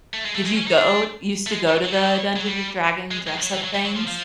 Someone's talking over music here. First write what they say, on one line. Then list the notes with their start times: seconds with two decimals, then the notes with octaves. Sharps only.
Did you go used to go to the Dungeon& Dragon dress-up things?
0.14 A3
0.25 G#3
0.35 A3
0.46 G#3
0.52 C4
0.57 C#4
0.67 D#4
0.78 D4
1.46 A3
1.52 G#3
1.67 G3
1.84 F#3
1.92 G3
2.00 F#3
2.36 F#3
2.47 G3
3.11 G#3
3.27 G#3
3.43 F#3
3.54 E3
3.64 F#3
3.75 G3
3.85 F#3
3.96 F3
4.08 F3